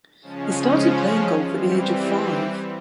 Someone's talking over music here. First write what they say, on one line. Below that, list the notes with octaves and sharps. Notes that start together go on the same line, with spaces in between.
He started playing golf at the age of five.
C#3 F3 G#3 C#4 A5
C6
E3 G3 C4 F5
F5
G5
F#5